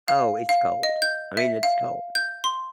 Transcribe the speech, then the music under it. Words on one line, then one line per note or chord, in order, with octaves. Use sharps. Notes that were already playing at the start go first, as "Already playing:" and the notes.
Oh, it's cold. I mean, it's cold.
F5
F5
D#5
G6
E5
F5
G6
C6